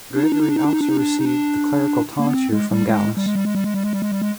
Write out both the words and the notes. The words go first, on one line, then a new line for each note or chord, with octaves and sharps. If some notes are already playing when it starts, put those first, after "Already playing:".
Gregory also received the clerical tonsure from Gallus.
D4
D#4
D4
D#4
D4
D#4
D4
D#4
D4
D#4
D4
D#4
D4
A#3
B3
C4
G#3
G3
G#3
G3
G#3
G3
G#3
G3
G#3
G3
G#3
G3
G#3
G3
G#3